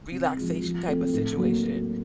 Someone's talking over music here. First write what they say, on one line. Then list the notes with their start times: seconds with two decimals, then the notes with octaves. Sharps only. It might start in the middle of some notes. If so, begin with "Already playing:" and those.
relaxation type of situation.
0.12 C3
0.37 F3 G#3
0.62 F3
0.88 A3 C4
1.14 A2
1.38 F#3 A#3